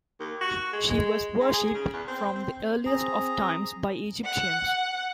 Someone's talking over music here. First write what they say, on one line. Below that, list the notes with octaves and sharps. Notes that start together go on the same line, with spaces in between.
She was worshipped from the earliest of times by Egyptians.
D#2
F#4
G#3
G#3
G#2
G#4
C#3
E2
C4
C4
C4 G#4 A#5
F#5